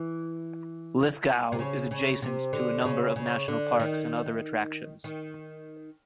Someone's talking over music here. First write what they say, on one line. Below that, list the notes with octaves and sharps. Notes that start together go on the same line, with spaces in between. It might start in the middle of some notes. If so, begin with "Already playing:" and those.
Lithgow is adjacent to a number of national parks and other attractions.
Already playing: E3
C3
C#3
C#3
C3
D3
C#3
C#3
D3
D#3
D#3